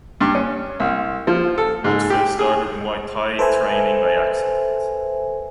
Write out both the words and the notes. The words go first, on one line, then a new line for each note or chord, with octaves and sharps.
Wood first started Muay Thai training by accident.
G2
C#4
C2
F3
A4
G#2
G4
G#4
A4 B4 C5 E5 G#5